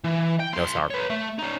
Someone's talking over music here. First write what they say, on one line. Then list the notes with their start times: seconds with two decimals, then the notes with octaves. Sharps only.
No sour cream.
0.04 E3
0.40 G5
0.53 B1 C6
0.90 B4 C#5
1.10 A3
1.38 C#4 D#4